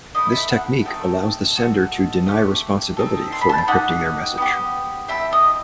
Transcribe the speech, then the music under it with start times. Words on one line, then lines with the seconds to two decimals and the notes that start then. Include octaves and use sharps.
This technique allows the sender to deny responsibility for encrypting their message.
0.15 A3 C4 E4 D#5
0.32 E5
0.50 F#5
0.85 A3 D#4 A4 G5
1.56 D#4 F#4 A4
2.26 A3 E4 G4
2.97 C4 D#4 A4
3.32 C6
3.41 B5
3.49 A5
3.58 G5
3.68 D#4 G4 F#5
4.38 B3 E4 G4
5.08 C4 E4 A4 E5
5.33 D#5